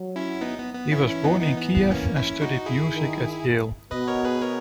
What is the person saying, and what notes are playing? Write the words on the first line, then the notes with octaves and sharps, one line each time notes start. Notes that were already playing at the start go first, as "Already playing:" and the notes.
He was born in Kiev, and studied music at Yale.
Already playing: F#3
C#4 E4
B3 D#4
B3
B3
E3 C#4 E4
C#4 E4
B3 D#4
B3 D#4
B3
B3
A#3 C#4
C#4 E4
D#4 F#4
E4 G#4
D#3
B2 B4 D#5
A#4 C#5
G#4 B4
A#4 C#5